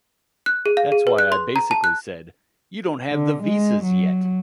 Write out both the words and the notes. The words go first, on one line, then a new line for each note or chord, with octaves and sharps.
That's why I basically said, 'You don't have the visas yet.
F#6
G#4
F5
G#4
B4
F#6
C6
A#5
A5
F#6
D3
G#3
F#3